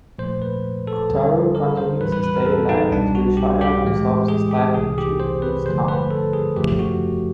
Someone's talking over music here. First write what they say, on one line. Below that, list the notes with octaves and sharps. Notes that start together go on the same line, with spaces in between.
Kotarou continues his daily life until Shia absorbs his life energy and leaves town.
A#2 F3 A3 C5
B4
A4
D2 D3 G3
A#4
C5
A2 E3 G3 B4
B4
B4
A#4
A4
D#4
C2 B2 G3 D4
F#4
G4
G4
A2 E3 G#3
G#4
G4
C2 C3 E3 G#4
G4
C5
B4
G2 D3 F3 A3 C5
B4
A4
G#4
F#2 C#3 F3 A3 G4
F#4